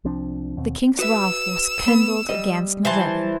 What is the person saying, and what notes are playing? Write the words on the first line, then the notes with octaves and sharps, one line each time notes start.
The king's wrath was kindled against Noureddin.
C2 F3 C4 D4
D#2 B2 C4
F#4 B4 E5 E6
B3
G3 D#5
E3 C5 A5